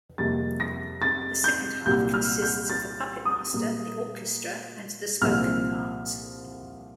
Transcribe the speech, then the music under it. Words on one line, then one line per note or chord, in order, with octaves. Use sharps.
The second half consists of the puppet master, the orchestra, and the spoken parts.
F2 C3 G3 A#3 A6
A#6
A6
G6
C2 A#2 G3 G6
F6
G6
A6
D#6
A#2 G3 A#3
C2 A#2 F3 C4 F6